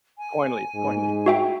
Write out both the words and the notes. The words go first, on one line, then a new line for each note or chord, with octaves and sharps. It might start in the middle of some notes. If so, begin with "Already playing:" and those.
Corn leaf corn leaf.
G#5
G#2
F#4 E5 G5